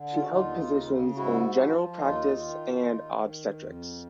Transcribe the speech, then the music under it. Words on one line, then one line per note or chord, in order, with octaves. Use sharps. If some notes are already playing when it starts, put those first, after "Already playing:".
She held positions in general practise and obstetrics.
Already playing: D3
F4
F#4
D#2 D#4 F4
C#3
G#2 E4 F#4
F3
D#2 D#4 F4
D#3
D#2
D#3
F2